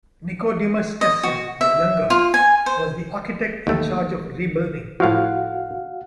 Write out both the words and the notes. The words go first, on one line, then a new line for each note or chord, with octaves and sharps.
Nicodemus Tessin the Younger was the architect in charge of rebuilding.
D#5
F#4
E5
F4
G#5
C5
D#2 A3
A2 F3 F#4 F5 F#5